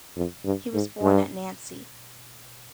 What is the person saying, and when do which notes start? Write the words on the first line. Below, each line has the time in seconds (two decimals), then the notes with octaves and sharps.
He was born at Nancy.
0.16 F2
0.45 G2
0.73 G#2
1.02 G2